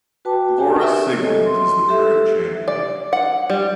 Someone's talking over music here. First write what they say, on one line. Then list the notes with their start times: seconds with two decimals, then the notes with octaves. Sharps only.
Laura Siegemund is the current champion.
0.25 F#4 B4 G5 A5 D6
0.58 G4 B4 G#5
0.81 G4 A#4 E5
1.20 G4 A4 C#5 D#5
1.45 C6
1.88 G4 A4 E5
2.68 D5
3.13 F#5
3.50 G3